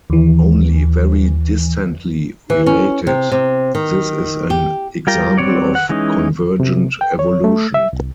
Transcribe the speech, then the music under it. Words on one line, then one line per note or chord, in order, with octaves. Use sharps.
Only very distantly related, this is an example of convergent evolution.
D#2 E3
E3
C#4
C3
C3
D#3
G4
G3 F4 A#4 G5
F#3 G3 C4 C#5 D5
F#5
E3 G#3 C#4 D#4
C3
G5
C#5
A3
E5
C2